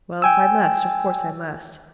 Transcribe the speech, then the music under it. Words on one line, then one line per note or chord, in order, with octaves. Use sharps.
Well, if I must, of course I must.
G5 G#5 E6